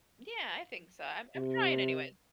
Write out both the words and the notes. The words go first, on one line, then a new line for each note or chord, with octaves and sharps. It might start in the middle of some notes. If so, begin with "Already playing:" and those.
Yeah, I think so, I'm I'm trying anyways.
C3